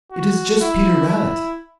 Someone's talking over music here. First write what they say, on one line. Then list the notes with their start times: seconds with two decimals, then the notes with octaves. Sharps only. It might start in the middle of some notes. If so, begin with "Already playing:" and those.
It is just Peter Rabbit.
0.12 F#4
0.61 E4
1.09 E4